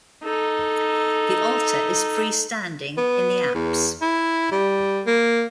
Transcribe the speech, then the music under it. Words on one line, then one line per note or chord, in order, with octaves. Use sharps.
The altar is free-standing in the apse.
D#4 A4
B3
E2
E4
G3
A#3